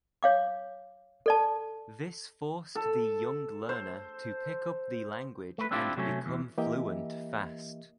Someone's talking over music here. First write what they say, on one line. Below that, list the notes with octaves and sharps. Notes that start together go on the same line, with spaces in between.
This forced the young learner to pick up the language and become fluent fast.
C#5 F5 D6
A4 D5 A5
A4
C5
A3 B4
C4 D4 E4 F4 G4
C3 F#3 A3 C#4
E2 E3
E3 A#3 G4 A#4 D#5 E5